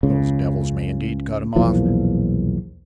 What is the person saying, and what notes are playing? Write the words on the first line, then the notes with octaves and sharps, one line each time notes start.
Those devils may indeed cut him off.
C#2 C#3
B1 E2 A#2 F3